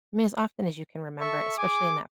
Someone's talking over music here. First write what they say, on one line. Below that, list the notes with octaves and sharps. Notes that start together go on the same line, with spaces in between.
mean, as often as you can remember, especially in that
A4 E5 C#6
G#4 G#5 D6